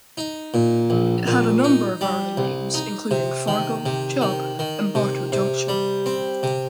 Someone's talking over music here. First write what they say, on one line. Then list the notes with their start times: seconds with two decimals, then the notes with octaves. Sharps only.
It had a number of early names, including Fargo, Chubb and Bartow Junction.
0.17 D#4
0.54 A#2
0.90 A#1
1.27 A#2
1.64 D#4
2.01 G3
2.38 C2
2.74 D#4
3.11 C3
3.48 D#3
3.86 C3
4.21 D#3
4.59 D#3
4.95 C3
5.32 C3
5.68 G3
6.06 C4
6.43 C3